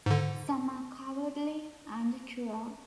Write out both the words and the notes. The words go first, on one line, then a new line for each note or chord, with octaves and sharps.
Some are cowardly and cruel.
G#2 D3